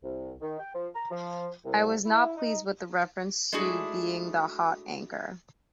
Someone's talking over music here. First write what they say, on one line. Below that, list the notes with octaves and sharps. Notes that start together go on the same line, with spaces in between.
I was not pleased with the reference to being the 'hot anchor'.
C2
D#3
G5
F3
A#5
F3
C2
E4
D#4
G#3 A3 D4 E4 F#4 G#4